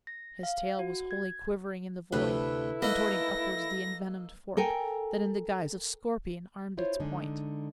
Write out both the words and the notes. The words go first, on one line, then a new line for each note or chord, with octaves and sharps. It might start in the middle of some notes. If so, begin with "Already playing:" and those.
His tail was wholly quivering in the void, Contorting upwards the envenomed fork, That in the guise of scorpion armed its point.
A#6
F5
F#4
G#6
D2 C3 A3 E4 B4
A#3 D#4 A4 B4 A#6
A4 A#4 G5 G#5
E4 F4 C5 C#5
D3 G#3 D#4